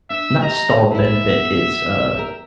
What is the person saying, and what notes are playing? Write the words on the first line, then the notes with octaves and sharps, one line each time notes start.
not stalled benefit. It's, uh
D4 E5
G4 D#5 A#5
G#2 E4 E5
B3
G4 A4 A#4